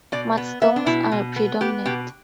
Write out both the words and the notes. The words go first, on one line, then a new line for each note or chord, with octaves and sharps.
Mudstones are predominant.
B2 D5
B3
B3 E5
D4
B2 E4
B2
B3
B3 G4
B2 G4